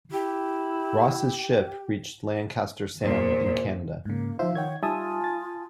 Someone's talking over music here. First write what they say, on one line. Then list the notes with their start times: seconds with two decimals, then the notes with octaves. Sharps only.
Ross's ship reached Lancaster Sound in Canada.
0.12 E4 G4
3.01 E2 A#2 C5
4.05 G#2 C#3 A#3
4.39 F3 D#4 F4 C5 E5 F5
4.55 D#3 C#5 F#5 G5 G#6
4.83 G3 D#4 F4 E5 G#5 A5 D#6
5.24 A6